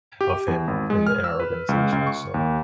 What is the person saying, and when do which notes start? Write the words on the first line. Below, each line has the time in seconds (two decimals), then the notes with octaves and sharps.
of him in the in our organization, so
0.21 G4
0.48 E2
0.68 G#1
0.90 G#3
1.06 F6
1.24 E6
1.40 B4
1.69 C#2
1.92 C#2
2.07 C#6
2.34 D#2